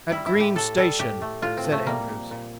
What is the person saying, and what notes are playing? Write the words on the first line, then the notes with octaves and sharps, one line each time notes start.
"At Green's Station," said Andrews.
G3 E4
E4
A2
G4
A2 A4
G3 A4
A2 G4
A3
A2 F4
C4
F3
A3
G3 A#3
A#2
A#2